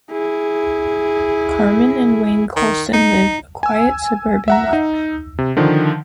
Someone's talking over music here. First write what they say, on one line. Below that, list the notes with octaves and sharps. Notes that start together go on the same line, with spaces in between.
Carmen and Wayne Colson live a quiet, suburban life.
E4 G#4
D#3
D#4
G#5 E6
E5 F#5 A#5
D#4
C3
D3 D#3 F3